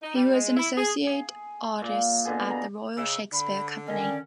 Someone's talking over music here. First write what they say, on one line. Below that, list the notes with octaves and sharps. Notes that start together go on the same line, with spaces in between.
He was an Associate Artist at the Royal Shakespeare Company.
D#4
G3
G#3
E4
G#4
G#4
A#2
B2 D3 B3 G#4
A#5 B5
C#3 D#4 E6
D3 B5
D#3 C#4 D#5
D5